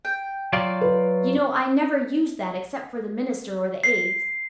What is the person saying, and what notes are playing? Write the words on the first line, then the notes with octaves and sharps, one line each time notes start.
You know I never use that except for the minister or the Aids.
G5
F#3 F4 D5
B4
C7